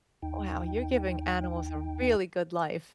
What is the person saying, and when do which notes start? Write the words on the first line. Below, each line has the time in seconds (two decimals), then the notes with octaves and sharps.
Wow, you're giving animals a really good life.
0.22 D#2 D#4 G5